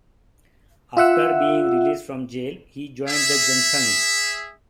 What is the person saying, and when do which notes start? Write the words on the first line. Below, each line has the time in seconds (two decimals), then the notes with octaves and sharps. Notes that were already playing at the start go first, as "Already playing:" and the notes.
After being released from jail he joined the Jan Sangh.
0.97 F4 E5 F#5 E6
3.07 G#4 E5